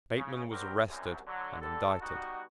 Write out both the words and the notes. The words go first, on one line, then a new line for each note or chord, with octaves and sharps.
Bateman was arrested and indicted.
C#3
F#3 G3 C4 G4 A#4
C2 F#2
D3 F#3
D3 G3 A4
B2 G3 D#4 F#4